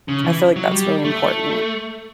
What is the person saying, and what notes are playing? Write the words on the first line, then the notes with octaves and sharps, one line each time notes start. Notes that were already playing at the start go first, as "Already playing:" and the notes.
I feel, like, that's really important.
C#3
E3
F#3
G3
A3